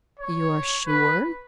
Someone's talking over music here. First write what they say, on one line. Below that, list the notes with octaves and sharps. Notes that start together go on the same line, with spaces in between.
"You are sure?"
C#5
B4